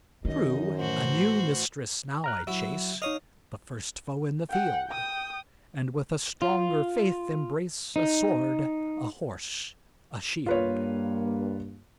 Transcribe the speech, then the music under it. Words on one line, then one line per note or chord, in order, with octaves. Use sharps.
True, a new mistress now I chase, The first foe in the field; And with a stronger faith embrace A sword, a horse, a shield.
F#2 D#3 D#4 D#5
A2 E3 F#4 C5
A#5 F6 F#6
F#3 E4 E5
D#4 C#5 D#5 F5 D#6
F#5 G5
G5 D#6
F4
D#4
G2 A#3 F4 B4 C#5